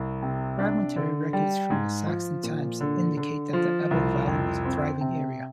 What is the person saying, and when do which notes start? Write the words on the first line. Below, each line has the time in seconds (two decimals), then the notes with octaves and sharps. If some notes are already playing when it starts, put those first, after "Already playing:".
Fragmentary records from Saxon times indicate that the Ebble valley was a thriving area.
Already playing: C2
0.22 C3
0.59 D4
0.96 D3
1.33 G3
1.70 G#2
2.06 F3
2.43 A#2
2.81 D3
3.17 D3
3.53 F3
3.91 C2
4.27 F2
4.65 C4
5.01 C3